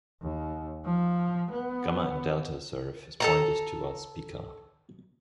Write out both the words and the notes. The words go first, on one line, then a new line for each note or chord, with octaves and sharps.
Gamma and Delta serve as pointers toward Spica.
D#2
F3
B3
A4 A5 A#5